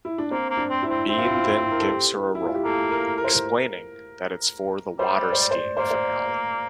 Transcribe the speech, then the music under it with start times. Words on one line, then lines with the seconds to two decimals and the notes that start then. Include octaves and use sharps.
Bean then gives her a rope, explaining that it's for the water skiing finale.
0.05 E4
0.18 D4
0.31 A#3 C4
0.50 A#3
0.57 D4
0.70 C4
0.82 E4
0.90 C4
1.08 C4 E4
1.18 F4
1.25 E4
1.34 F4
1.44 E4
1.52 F4
1.60 E4
1.71 A#4
1.80 A4
1.87 G4
2.35 E4
2.45 F4
2.55 G4
2.64 A#3 A4
2.90 A#4
3.18 A#4
3.24 C5
3.32 A#4
4.99 G3 C5
5.25 D5
5.33 C5
5.40 D5
5.51 C5
5.77 A#3 C5
5.84 D5
5.91 C5